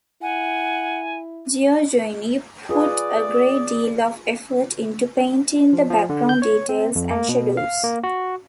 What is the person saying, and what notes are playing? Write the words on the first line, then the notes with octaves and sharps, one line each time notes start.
Giorgione put a great deal of effort into painting the background details and shadows.
E4 F#5 G#5
F4 G#4 B4 D5 D#6
F3
F3
D3
G6
C#5
C4
F2
A#3
B2
F5
A#3
F#4